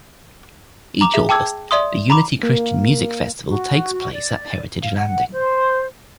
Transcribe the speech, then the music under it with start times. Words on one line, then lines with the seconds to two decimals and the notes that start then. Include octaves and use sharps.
Each August, the Unity Christian Music Festival takes place at Heritage Landing.
1.01 A#5 D6 F7
1.14 G#4 E5
1.29 G5 A5 D6 E6 G#6
1.71 D5 E5 C6 D#6
2.10 A#5 B5 D6
2.43 A#3
3.47 F#4
4.14 D5
4.83 F5
4.99 F#5
5.32 C5